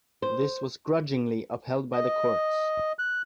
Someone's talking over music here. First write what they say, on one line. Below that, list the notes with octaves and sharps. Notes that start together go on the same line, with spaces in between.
This was grudgingly upheld by the courts.
C5
D#5
F#6